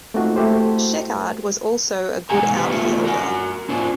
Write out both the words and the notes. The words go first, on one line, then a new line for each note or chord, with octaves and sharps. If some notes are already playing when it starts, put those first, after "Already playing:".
Sheckard was also a good outfielder.
A3 A#3 C4 D#4 F4 F#4
A3 E4 F#4 G4 A4 C5
B2 F#3 G#3 F#5 G#5 A#5
G4 B4 C5
A3 D4 F4 F#4
F#4 A#4
C#4 D4 F4 C5